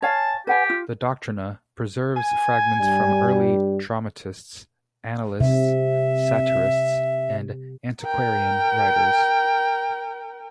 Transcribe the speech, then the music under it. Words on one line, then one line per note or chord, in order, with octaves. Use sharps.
The "Doctrina" preserves fragments from early dramatists, annalists, satirists, and antiquarian writers.
C#5 F5 G#5 A5
G4 B4 F#5 G#5
F4
G#5
G2 G3
C3 E5
A#4 G5